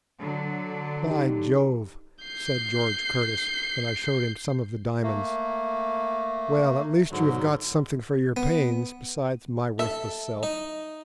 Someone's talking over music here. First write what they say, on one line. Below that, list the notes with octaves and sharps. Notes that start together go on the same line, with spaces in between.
"By Jove!" said George Curtis, when I showed him some of the diamonds: "well, at least you have got something for your pains, besides my worthless self."
D3 F#3
D#4 G4
G6 C7
A3 A#3
G#2 D3 F#3
B3
A4 E5
D#4